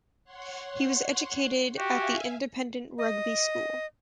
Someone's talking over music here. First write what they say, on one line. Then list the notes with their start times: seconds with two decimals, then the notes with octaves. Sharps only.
He was educated at the independent Rugby School.
0.24 C#5 F#5 C6
1.77 F#4 G4 E5 F5 G#5
2.98 D#5